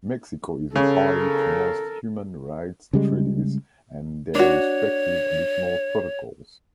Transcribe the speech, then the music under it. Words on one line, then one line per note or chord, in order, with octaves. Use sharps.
Mexico is a party to most human rights treaties and their respective additional protocols.
C#3 A4 A#4
C#3 G3 G#3
D4 F#4 C#5